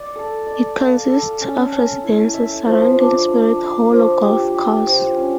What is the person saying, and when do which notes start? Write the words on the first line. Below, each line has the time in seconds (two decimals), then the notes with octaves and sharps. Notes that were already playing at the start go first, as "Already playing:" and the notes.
It consists of residences surrounding Spirit Hollow Golf Course.
Already playing: D5
0.15 A4
0.46 D5
0.77 F5
1.09 A4
1.41 C#4
1.72 C#4
2.04 E4
2.34 E5
2.65 F3
2.97 D4
3.28 D4
3.59 D4
3.91 F3
4.22 G4
4.54 G4
4.84 F3
5.15 C#4